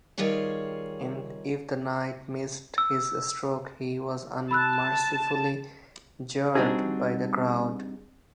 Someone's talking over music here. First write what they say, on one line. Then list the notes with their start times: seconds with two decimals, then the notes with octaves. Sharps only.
If the knight missed his stroke he was unmercifully jeered by the crowd.
0.18 D#3 G3 F4 G#4 C#5
2.78 E6
4.51 A5 B5 E6 F#6
6.55 G3 C4 D4 D#4 F#4 G#4